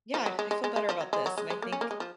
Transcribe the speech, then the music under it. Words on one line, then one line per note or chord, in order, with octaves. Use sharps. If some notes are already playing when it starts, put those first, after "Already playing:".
yeah, I feel better about this, and I think
F3
F#3
G#3
G#3
G#3
G#3
F3
F#3
G#3
F#3
G#3
G#3
A#3
C#4
A#3
G#3
F3